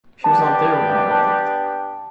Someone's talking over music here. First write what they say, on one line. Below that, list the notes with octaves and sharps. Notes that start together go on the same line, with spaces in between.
She was not there when I arrived.
B3 D4 G4 B4 A5
A5